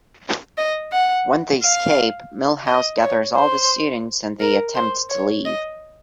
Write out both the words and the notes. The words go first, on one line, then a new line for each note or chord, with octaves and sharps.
When they escape, Milhouse gathers all the students and they attempt to leave.
D#5
F#5
F5
D#5
C#5
C5
A#4
C5
C#5
D#5